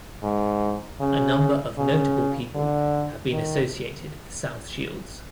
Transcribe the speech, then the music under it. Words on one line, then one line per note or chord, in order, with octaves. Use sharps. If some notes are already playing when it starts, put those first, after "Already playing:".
A number of notable people have been associated with South Shields.
G#2
C#3
C#3
D3
D#3